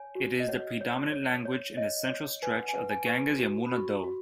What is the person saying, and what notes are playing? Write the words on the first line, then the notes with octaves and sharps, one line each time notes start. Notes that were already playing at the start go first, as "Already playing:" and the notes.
It is the predominant language in the central stretch of the Ganges-Yamuna Doab.
Already playing: C#5 G#5
F#4
D#5
C#5 F#5
C#5
C#5
C#5
C#5 D#5
C#5
B4 G#5
F#5
G#5
B4 F#5
G#5
B4 C#6
F#4
B5
F#4 C#6
F#4